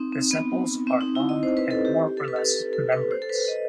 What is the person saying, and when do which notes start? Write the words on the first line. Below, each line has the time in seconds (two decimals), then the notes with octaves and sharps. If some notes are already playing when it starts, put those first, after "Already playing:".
The sepals are long and more or less membranous.
Already playing: C4 D#4
0.12 C4
0.31 B3
0.87 C4
1.01 D#4
1.15 E4
1.29 D#5
1.43 C5
1.57 B4
1.71 A4
1.85 G4
1.99 G4
2.17 A4
2.28 B4
2.36 A4
2.54 A4
2.73 A4
2.92 B4
3.11 C5
3.22 A4
3.29 B4
3.48 D#5